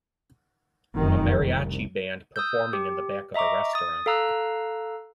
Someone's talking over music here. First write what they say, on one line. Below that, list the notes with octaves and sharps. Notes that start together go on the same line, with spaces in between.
A Mariachi band performing in the back of a restaurant.
F1 F#2 D#3
C2
D#6 E6 G6
G4
D#5 E5 A#5 C#6 D6
D#6 A6
A4 F5 A#5 E6 F#6